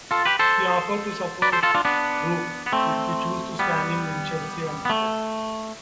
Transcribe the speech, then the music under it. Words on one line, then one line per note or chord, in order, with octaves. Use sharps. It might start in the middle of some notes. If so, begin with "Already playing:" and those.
He offered to support Rooke if he chose to stand in Winchelsea instead.
F4 A4
G4 B4
A4 C5
B4 D5
A4 C5
F4 A4
D4 F4
B3 D4
B3
A3 C4
G3 B3
B3
A3